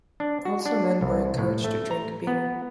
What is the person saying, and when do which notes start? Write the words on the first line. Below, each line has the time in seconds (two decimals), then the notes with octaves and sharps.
Also men were encouraged to drink beer.
0.20 D4
0.45 F#4
0.66 D4
1.01 C2
1.38 A2
1.64 A3
1.91 A#5
2.27 B3